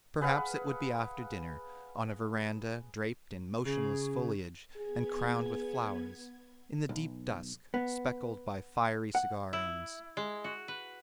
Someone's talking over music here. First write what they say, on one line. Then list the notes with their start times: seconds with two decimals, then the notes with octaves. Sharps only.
Perhaps it would be after dinner, on a verandah draped in motionless foliage and crowned with flowers, in the deep dusk speckled by fiery cigar-ends.
0.21 G#4 B4 F5 F#5
3.65 C#3 G#4
4.77 B3 G#4 G#6
6.89 B1
7.74 B3
9.15 F#5
9.53 E4
10.17 G#3
10.44 F#4
10.68 B4